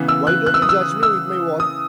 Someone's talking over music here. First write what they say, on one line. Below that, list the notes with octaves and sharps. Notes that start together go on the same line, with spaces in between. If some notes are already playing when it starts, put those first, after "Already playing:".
Why don't you judge me with my work?
Already playing: C#3 E3 B3
E6
F#6
F#6
E6
D#6
E6
E6
D#6